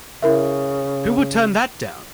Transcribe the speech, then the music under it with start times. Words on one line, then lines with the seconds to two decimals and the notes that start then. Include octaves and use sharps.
Who would turn that down?
0.22 C#3 E4 A#4 E5